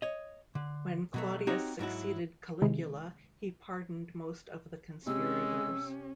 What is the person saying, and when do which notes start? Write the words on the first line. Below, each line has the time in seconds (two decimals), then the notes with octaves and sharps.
When Claudius succeeded Caligula, he pardoned most of the conspirators.
0.02 C#5 D#5
0.55 D3
1.14 B2 F#3 A3
1.47 C4 D#4 F#4 G4 C#5 A#5
1.79 G#2 F#3 E4 F#4
2.62 C3 D#3 G#3 E4
5.07 C3 G#3 C#4 E6